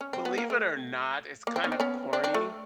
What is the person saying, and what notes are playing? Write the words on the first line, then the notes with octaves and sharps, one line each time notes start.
believe it or not, it's kinda corny
C#4
C4
B3
A#3
A3
A#3
C4
B3 C#4
C4 D4
B3 C#4
C4 D4
C4 D4
A3